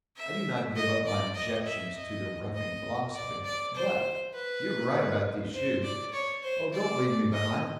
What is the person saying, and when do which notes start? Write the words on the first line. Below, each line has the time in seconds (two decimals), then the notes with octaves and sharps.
I do not give up my objections to the roughing philosophy, but---- You were right about these shoes---- Oh, don't leave me behind!
0.16 E5
0.76 D#5
1.06 D5
1.35 D#5
1.66 E5
1.95 D#5
2.55 D#5
3.15 D5
3.44 D5
3.75 C5
4.34 B4
5.54 C5
5.83 D5
6.13 C#5
6.43 C5
6.73 D5
7.33 D#5